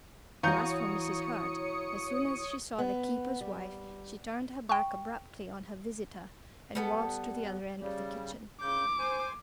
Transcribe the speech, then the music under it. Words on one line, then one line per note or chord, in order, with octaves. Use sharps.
And as for Mrs. Hurd, as soon as she saw the keeper's wife, she turned her back abruptly on her visitor, and walked to the other end of the kitchen.
E3 F#4 C#5 F5 A#5 D#6 G6 C#7
B3
G3
G5 C#6
G3 B3 A4
C#3 G3
C#3 D6 G6
C5 G#5